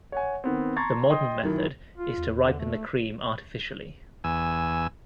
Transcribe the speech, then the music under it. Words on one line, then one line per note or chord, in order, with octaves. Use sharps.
The modern method is to ripen the cream artificially.
C#5 F#5 G#5
D#3 B3 C4
A5 A#5 C6 C#6 G#6 A6
D#5 G5 C6 D#6
F#2 D#3 E4
F4
E2
D3
A3
E2 G#5 E6